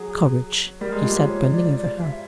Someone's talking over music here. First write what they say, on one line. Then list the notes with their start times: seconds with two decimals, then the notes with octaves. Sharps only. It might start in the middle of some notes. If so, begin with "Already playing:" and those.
"Courage!" he said, bending over her.
Already playing: F#3 G#4
0.81 G3 A#4
0.92 G#3
1.03 F3 G3 G4
1.28 C#5
1.51 D5
1.75 D5
1.98 F5
2.02 E5